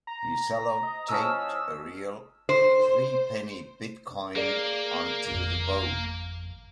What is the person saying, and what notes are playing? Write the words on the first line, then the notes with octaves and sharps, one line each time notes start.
She sellotaped a real 'threepenny bit' coin onto the bow.
A#5
D#5
F3 C#4 D#6 E6
C5
A#3 G#4 A#4 D5
G#1 F2